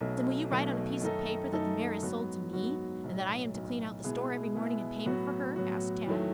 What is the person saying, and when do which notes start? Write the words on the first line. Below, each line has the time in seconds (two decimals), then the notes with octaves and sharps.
"Then, will you write on a piece of paper that the mare is sold to me, and that I am to clean out the store every morning in payment for her?" asked Tad.
0.01 B1 B2 F#3 A3
0.51 B1 B2 F#3 A3
1.01 F#2 D#3 A3 D#4 A4
1.52 F#2 D#3 A3 D#4 A4
2.03 G#2 F#3 B3 F#4
2.53 G#2 F#3 B3 F#4
3.04 B1 A2 F#3
3.54 B1 A2 F#3
4.04 B2 G#3 B3 E4 G#4
4.55 B2 G#3 B3 E4 G#4
5.06 A2 F#3 B3 F#4
5.56 A2 F#3 B3 F#4
6.06 E2 D#3 F#3 A3